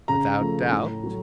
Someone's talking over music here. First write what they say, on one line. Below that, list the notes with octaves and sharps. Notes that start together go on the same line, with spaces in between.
"Without doubt."
C#3 A#5
F3 A3
A2
F#3 A3